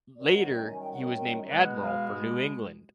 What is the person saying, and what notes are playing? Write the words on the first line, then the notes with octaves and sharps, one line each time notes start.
Later he was named admiral for New England.
F#2 D#3 G3 D5
F#5
G5
G#5
G5
F#5
G5
B2 G#3 F#5
F5